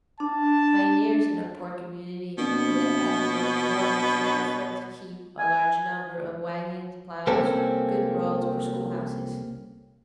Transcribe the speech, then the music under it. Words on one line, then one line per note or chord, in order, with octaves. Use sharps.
Pioneers in a poor community where the average wealth is low, cannot afford to keep a large number of wagons, plows, good roads, or school-houses.
D4 A5
B2 A#3 C4 D4
G#5
C2 A#3 C4 C#4 A4